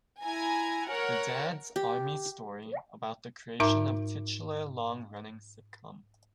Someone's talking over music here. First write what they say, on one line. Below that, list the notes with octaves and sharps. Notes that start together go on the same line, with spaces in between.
The Dad's Army Story, about the creation of the titular long-running sitcom.
E4 G#5 A#5
A#4 C#5 F#5
G4
G#2 D#4 A#4 E5 A#5 D6